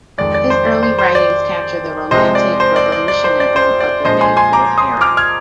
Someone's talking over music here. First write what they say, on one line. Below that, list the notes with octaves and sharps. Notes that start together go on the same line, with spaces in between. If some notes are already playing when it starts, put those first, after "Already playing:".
His early writings capture the romantic revolutionism of the May Fourth era.
F2 D#3 G#3 D5
D5
C5
D5
C5
C5
D5
C3 F3 G#3 C5 D#5
D5
C5
D5
D5
D5
C5
D5
C5
D5
A#2 F3 G#3 C5 D#5
G#5 C6
G#5 C6
A#5 D6
C6 D#6
D6 F6
F6 G#6